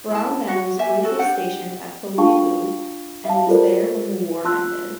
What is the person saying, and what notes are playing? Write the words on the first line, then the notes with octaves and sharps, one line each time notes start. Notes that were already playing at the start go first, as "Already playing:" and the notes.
Brown then was briefly stationed at Peleliu and was there when the war ended.
E4 A5
F#4 F#5
G4 E5 G#5
F#4 A4
D4 G4 F#5
D4 F4 F5 G5 A5 C#6
E5 F5 A5
F4 G4 A4 A#4 C5 D5
F4 A5 C6 E6 F#6